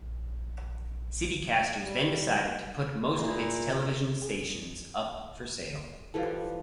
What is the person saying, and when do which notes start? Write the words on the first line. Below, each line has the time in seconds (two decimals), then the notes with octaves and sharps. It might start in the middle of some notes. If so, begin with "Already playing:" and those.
Citicasters then decided to put most of its television stations up for sale.
0.02 A#1
1.77 G3
3.17 A#2 E4 G#4
4.22 G#4
6.14 E3 F3 G3 A4 B4 F5